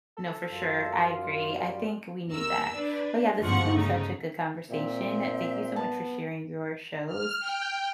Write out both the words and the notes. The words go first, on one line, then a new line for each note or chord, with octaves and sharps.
No, for sure, I agree, I think we need that, but yeah, this has been such a good conversation, thank you so much for sharing your shows
A4
F#2 F4
G3
D#2 A#4 E6
D4 B4
G1 D#2 G#2 F3 F#5 C#6
C#3 A3 D#4
A#2 C4 E5
B3 A5
F6
G5